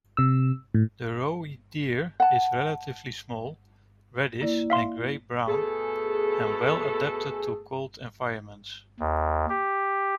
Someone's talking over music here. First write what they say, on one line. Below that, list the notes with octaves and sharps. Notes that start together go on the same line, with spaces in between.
The roe deer is relatively small, reddish and grey-brown, and well-adapted to cold environments.
C3 E6
A2
F#5 A5
A#3 E4 D5
E5 F5 C6
B2 A3 G#4 A4
D#2
G4